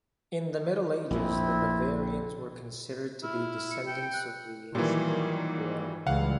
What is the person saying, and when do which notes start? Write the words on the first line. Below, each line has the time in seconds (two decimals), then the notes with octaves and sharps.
In the Middle Ages, the Bavarians were considered to be descendants of the ancient Boier.
1.11 A#1 F2 C4 E4
3.23 E4 F6
3.71 C#7
3.87 G5
4.13 F#6
4.75 A#2 D#3 E3 F#3 G3
6.07 C#2 E3 G3 F5 F#5